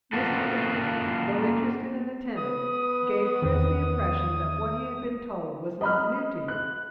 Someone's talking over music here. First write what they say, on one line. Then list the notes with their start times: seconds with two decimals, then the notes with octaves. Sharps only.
Mr. Wicker though interested and attentive, gave Chris the impression that what he had been told was not new to him.
0.13 A#3 C#4 F4 F#4 A4
2.36 B3 D#6
3.42 E2 D#3
5.81 D#5 B5 F6
6.48 F#6